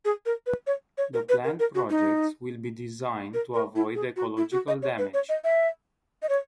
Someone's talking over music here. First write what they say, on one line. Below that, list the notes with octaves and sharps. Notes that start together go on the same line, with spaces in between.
The planned projects will be designed to avoid ecological damage.
G#4
A#4
B4
C#5
C#5
A#4
B4
A#4
A#4
F#4
D#4
A#4
A#4
E4
G#4
F#4
E4
F#4
D#5
C#5
B4
C#5
D#5
E5
D#5
C#5